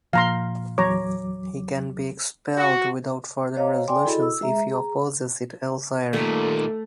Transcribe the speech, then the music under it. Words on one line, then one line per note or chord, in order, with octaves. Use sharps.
He can be expelled without further resolutions if he opposes it elsewhere.
A#2 F3 F5 A#5 C6
E2 F#3 C#5 A#5 D6
F#4
C5 C#5 D#5 F5 A#5
D5 G5 G#5 C6 D6
E4 F#4 G#4 A4 D#5 B5
E6
G#3 G#4 E5 A#5
G#4 A#5
D#2 A#2 A3